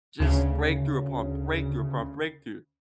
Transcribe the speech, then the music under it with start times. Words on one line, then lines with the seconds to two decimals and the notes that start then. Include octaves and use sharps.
Just breakthrough, upon breakthrough, upon breakthrough.
0.20 D2 C#3